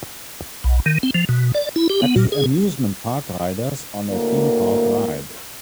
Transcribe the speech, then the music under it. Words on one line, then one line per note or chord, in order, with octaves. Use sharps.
Happy Amusement Park riders on a theme park ride.
B1
D#3
C4
F3
B2
D5
E4
G4
B3
A#2
G#4
D2 A2 A#3